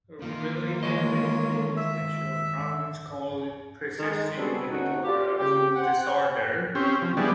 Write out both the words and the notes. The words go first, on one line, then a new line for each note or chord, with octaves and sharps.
A related medical sexual problem is called Persistent genital arousal disorder.
D#3 E3 A#3 F4
G#3 C#5 D#5
E5
D#3 G#3
G3 B3 C4 F#4 G#4 A4
D3 C#4 D#4 F#4
F4 G4 D5
C#3 G4 G5
C5 F#5 G5
C4 C#4 G4
F3
E3 G3 G#3 B3 D4